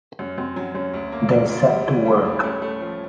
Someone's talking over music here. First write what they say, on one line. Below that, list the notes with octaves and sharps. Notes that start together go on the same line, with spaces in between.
They set to work.
F#2 C#4
F#2 C4
F#3 C#4
F#2 C#4
D2
A#3
A#3
D2
G3
E3
G3
A2
A3 C#4
A3
F3